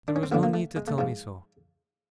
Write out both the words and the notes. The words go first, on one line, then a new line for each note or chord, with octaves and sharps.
There was no need to tell me so.
D4
C#4
C4
D2 D3 F3 B3
A#3
A3
G#3
A3
G#2 F3